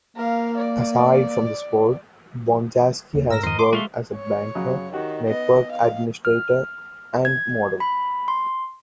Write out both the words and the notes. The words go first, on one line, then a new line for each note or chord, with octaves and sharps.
Aside from the sport, Bonjasky has worked as a banker, network administrator, and model.
A#3 A#4 F5
D5
D#2
G#2 A#4 E6 A#6
F2 D#3 C5 D#5
C6 D6
G#3 A3 F#4 F5 C6
C#5
F#2 C#3 F#3
D#3 F#4 G4
B3 D#5
F5
F6
G#6
B5
C6